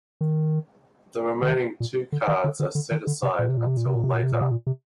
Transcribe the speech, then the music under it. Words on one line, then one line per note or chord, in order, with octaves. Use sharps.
The remaining two cards are set aside until later.
D#3
D3
D#3
A#2
D3
D#3
D3
D3
D3
D#3
D3
C3
A#2
C3
A#2
C3
A#2
C3
A#2
C3
A#2
C3
A#2
C3
A#2
C3